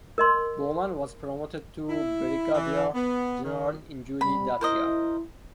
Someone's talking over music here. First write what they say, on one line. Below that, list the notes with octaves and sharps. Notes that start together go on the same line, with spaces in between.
Bowman was promoted to brigadier general in July that year.
A#4 D#5 C6
E4
E3
B3
D#3
C3 G3 B5
E4 A#4 C5 D#5